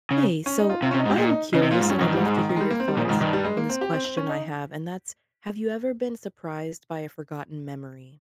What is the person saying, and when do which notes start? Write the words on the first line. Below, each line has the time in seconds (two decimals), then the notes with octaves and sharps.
Hey, so I am curious and I'd love to hear your thoughts on this question I have, and that's have you ever been surprised by a forgotten memory?
0.11 C#3
0.46 C#4
0.59 D#4
0.70 F4
0.82 C3 F4
0.91 C#4
0.94 C3
1.00 D#4
1.06 G#2
1.09 G4
1.17 A#2 D#4
1.30 D#4
1.53 C#3 D#4
1.62 C3
1.71 A#2 F4
1.81 G#2
1.89 G2 C#4
1.99 F2 D#3
2.08 G2
2.14 G#2 G3
2.26 G#3
2.37 D#3
2.49 D#3
2.56 G#3
2.61 G3
2.71 A#3
2.80 C4
2.88 G3
2.97 A#2 F3
3.05 C#3
3.09 G#2 D#3
3.20 G2 D#3
3.33 G3
3.44 G#3
3.57 A#3
3.69 C4
3.81 G4
3.93 C4
4.05 C4
4.17 C#4
4.29 D#4